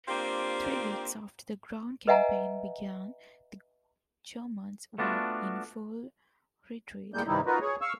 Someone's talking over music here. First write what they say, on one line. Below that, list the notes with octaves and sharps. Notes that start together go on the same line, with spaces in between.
Three weeks after the ground campaign began, the Germans were in full retreat.
A#3 C4 D4 F4 G4 C5
B4 D#5 E5 F#5 G#5 A#5
A3 B3 D4 F4 F#4
A2 G3 G#3 A#3 G6
G2 C3 D#3 G3 D#4 E4
D#4 F4 F#4 A#4 B4
G#4 C#5
F5 C#6 E6